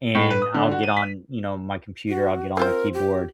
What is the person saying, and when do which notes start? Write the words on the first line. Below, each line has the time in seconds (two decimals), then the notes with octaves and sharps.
and I'll get on, you know, my computer, I'll get on my keyboard
0.15 A2
0.31 B4
0.42 D#6
0.54 D3
0.71 F#4
0.83 D#7
0.97 B6
2.08 F#4
2.57 C4 F4 A#4 C5
2.94 G4